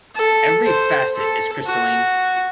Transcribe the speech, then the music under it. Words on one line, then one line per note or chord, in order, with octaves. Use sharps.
Every facet is crystalline.
A4
C5
A4
F#4